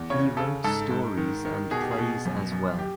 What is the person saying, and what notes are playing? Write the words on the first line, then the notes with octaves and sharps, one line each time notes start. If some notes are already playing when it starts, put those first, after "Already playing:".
He wrote stories and plays as well.
Already playing: E2
C#3 C#5
C#3 A4
G#2 A4
G#2
D#3
D#3
B2 G#4
G4
G#4
B2
F#2
F#2
G4